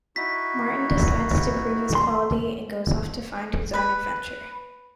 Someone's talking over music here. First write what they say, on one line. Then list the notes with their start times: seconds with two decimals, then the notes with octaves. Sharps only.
Martin decides to prove his quality, and goes off to find his own adventure.
0.16 D#4 E4 F#4 B6
1.95 C6
3.73 B4 B5